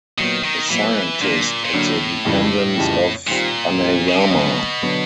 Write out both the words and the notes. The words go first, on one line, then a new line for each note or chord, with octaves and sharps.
A scientist at the dependence of Aneyama.
A#2 D#3 F#3 B3
D#3
A#2 E3 F#3 B3
A#2 D3 F#3 A#3 D4
A#2
A2 D3 F#3 A#3 D4
F2 C#3 E3 G3
F2 C#3 E3 G3
A#2 D#3 G3 C4 F4
D#3 G3 C4 F4
C#3
C3
B2 D3 F#3 B3
D3 F#3 B3